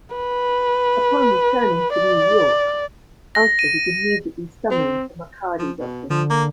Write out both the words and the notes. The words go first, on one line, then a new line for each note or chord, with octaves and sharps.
Upon returning to New York, Alfred is immediately summoned to MacHardie's office.
B4
D5
A#6
D#7
C4
F3
B2
D3 F3
A#3